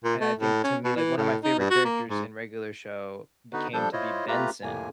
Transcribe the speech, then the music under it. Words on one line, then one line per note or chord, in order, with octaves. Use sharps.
And I think to me like, one of my favorite characters in Regular Show became to be Benson,
A#2
A3
A2
C#4
B2
E3
A2
D#4
G2
F#4
A#3
G#2
D3 B3 D#4 F#4 B4
F3 G3 D4 A4 G6
E4 F4 C5 C#5 D#5
A3 F4 G4 B4 A#5
F2 A2 C3 A#3 G#5